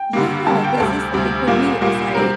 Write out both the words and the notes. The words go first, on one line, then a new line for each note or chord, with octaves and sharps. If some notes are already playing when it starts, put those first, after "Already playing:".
Yeah, 'cause it's like for me, it's like
Already playing: G5
G2 D3 G3 A#3
G2 D3 G3 A#3 A5
G5
D2 C3 G3 A4
D2 C3 G3
C2 A#2 G3 A#3
C2 A#2 G3 A#3
C3 G3 C4 A#4